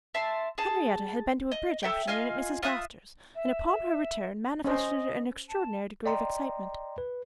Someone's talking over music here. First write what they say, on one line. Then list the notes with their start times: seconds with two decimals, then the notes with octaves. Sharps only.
Henriette had been to a bridge afternoon at Mrs. Gaster's and upon her return manifested an extraordinary degree of excitement.
0.14 E5 A5 C6
0.58 G#4 A5
1.52 D#5
1.83 A4 E5 G5
2.07 F4 D#5 F5 G#5
2.63 F4 E5 D#6 F#6
3.35 E5
3.67 E5
4.64 C#4 C5 D#5
5.49 A5
6.06 D5 D#5 G5 A#5 C6
6.98 B4